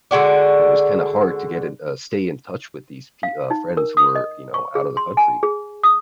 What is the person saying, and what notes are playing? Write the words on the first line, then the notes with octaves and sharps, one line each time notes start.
So, it was kinda hard to get in uh, stay in touch with these, pe friends who were, you know, out of the country.
D3 G#3 F#4 D5
F5
D#4
A#4
D#6
D#5
C#6
G#4
C6
G#5
G#4
D#6